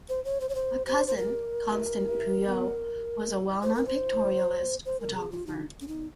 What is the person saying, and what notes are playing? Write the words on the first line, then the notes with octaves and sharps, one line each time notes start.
A cousin, Constant Puyo, was a well-known Pictorialist photographer.
C5
C#5
C5
C#5
C5
C5
C5
A#4
C5
A#4
C5
C5
A#4
G#4
F4
D#4
C#4
D#4